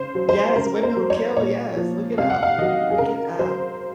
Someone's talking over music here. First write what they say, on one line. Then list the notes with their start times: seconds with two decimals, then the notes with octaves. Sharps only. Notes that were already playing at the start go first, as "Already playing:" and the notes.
Yes, Women Who Kill, yes, look it up. Look it up.
Already playing: C#3 C5
0.15 F#3
0.29 C5
0.56 C#3 A#4
0.83 C5
0.96 F#3
1.10 C#5
1.37 A#2 C#5
1.77 F3
2.18 C3 F5
2.30 F#5
2.43 F5
2.58 D#3 F#3 D#5
2.90 G#4
2.98 C#3 A#4
3.39 F#3 C5